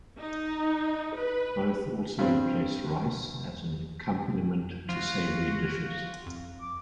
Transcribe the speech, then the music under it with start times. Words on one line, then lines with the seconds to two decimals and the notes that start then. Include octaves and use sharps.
Both also replace rice as an accompaniment to savory dishes.
0.20 D#4
1.17 B4
2.19 G2 C4
4.89 F3 F4 F#4
6.26 F2
6.61 D6